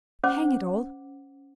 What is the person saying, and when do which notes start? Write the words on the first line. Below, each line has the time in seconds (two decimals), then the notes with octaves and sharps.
Hang it all!
0.24 C#4 C5 F#5 D6